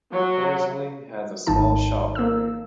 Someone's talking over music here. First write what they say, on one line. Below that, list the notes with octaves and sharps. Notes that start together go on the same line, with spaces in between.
Horsley has a small shop area.
F#3
G#1 D#3 D#4 A5
A#3 E6